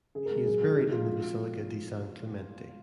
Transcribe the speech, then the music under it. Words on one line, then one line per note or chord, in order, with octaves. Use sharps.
He is buried in the Basilica di San Clemente.
C#3 G#4
A#4
G#3 G#4
F#3 G#4
B2 G#4
G#3 D#4
F3 F4
B2
G#3